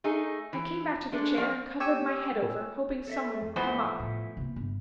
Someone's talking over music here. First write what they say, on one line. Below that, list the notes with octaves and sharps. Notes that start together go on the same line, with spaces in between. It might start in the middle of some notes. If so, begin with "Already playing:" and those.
"I came back to the chair and covered my head over, hoping some one would come up."
A3 D#4 G#4
E3
G#3 A3 D4
F3 C#4 D4 D5 F5
G4 C#5 G#5 E6
A4 D#5 E5
F2
E3 F3 A3 B3 E4 C5
A2
C3 A#3
G1